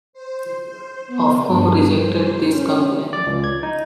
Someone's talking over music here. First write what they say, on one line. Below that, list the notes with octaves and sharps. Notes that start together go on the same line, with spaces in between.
Ofcom rejected this complaint.
C5
C5
B3
G2
C5
C#4
D5
C#2
G#6
D#4